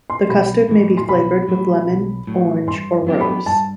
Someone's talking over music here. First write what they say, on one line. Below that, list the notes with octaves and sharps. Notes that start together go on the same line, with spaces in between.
The custard may be flavored with lemon, orange, or rose.
C6
B1 B5
A2 E3
C6
B1 B5
A2 F#3
B1
A2 F#3
G2 C6
F#3 B3 D4 G4
B5
G2 A5